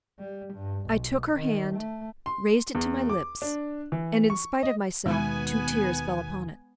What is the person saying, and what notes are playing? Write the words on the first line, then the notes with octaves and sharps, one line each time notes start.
I took her hand, raised it to my lips, and in spite of myself two tears fell upon it.
G3
G2
B1
D#3
A3
C6
E2
D6
D4
E3
C#6
D#5
D#2 B2 D#3 G#3 B3 G#5